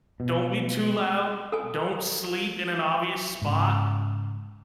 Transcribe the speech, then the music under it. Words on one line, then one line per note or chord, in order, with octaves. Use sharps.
Don't be too loud. Don't sleep in an obvious spot.
B2
A4 G#5
G#2 C#3